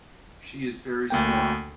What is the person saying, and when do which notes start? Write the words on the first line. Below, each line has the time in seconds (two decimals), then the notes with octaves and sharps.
She is very strong.
1.10 D2 A#3 G5